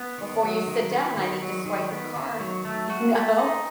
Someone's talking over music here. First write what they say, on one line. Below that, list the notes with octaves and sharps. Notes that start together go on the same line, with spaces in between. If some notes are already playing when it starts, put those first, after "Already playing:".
"Before you sit down, I need to swipe your card," you know?
Already playing: B3
D#3
F#3
D#3
B3
D#3
F#3
D#3
B3
D#3
F#3
A3
F#4
A3
D#4